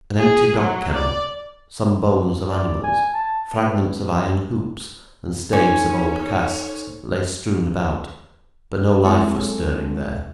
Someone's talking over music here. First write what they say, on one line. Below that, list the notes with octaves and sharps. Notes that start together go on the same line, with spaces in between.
An empty dog-kennel, some bones of animals, fragments of iron hoops, and staves of old casks, lay strewn about, but no life was stirring there.
G#4
F#3
D5
D5
G#5
A5
B3
C#4 D#4 A4 C5
F#3 G#3 C4 E4 A4 C#5